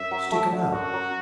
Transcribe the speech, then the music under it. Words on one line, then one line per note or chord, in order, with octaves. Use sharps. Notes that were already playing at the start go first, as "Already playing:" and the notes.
Stick 'em out.
Already playing: F#2 E5
F#3
A3
D3
F#2 F#4
F#3